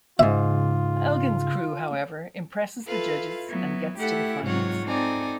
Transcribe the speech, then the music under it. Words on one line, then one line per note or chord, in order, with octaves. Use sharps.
Elgin's crew, however, impresses the judges and gets to the finals.
F2 G#2 C#3 F4 E5
E4 F4 A4 B4 F5
F#3 B3 E4
A3 E4 G4 A4 F#5
G#2 C3 F#3 F4 C#5 F#5
C4 D#4 A4 D5 G#5 A#5